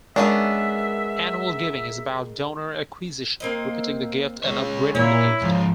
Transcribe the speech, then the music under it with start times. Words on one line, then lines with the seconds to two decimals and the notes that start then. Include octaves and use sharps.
Annual giving is about donor acquisition, repeating the gift and upgrading the gift.
0.16 G#3 B3 C#4 D4 A#4 E5 C7
3.40 A#3 C4 D#5
4.44 G#3 C#5
4.95 A#2 E4 C#5
5.42 G#2 F3